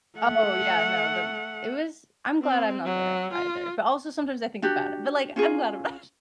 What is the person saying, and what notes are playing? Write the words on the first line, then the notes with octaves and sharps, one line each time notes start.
Oh, yeah, no, the it was I'm glad I'm not there e either, but also sometimes I think about it, but like, I'm glad I'm not
A3 F#5
C4
F#3
F4
D4 F#4 G4
C#4 F4 G#4